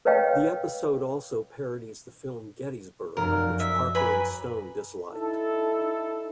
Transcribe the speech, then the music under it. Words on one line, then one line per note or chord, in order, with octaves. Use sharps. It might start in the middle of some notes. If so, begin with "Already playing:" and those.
The episode also parodies the film "Gettysburg" which Parker and Stone disliked.
A#4 B4 C#5 D#5 F5 G5
F1 F#2 A#4
D5 F#6
D#5 E5
B4 G#5 A#5 B5 D6
D#4 E4 A4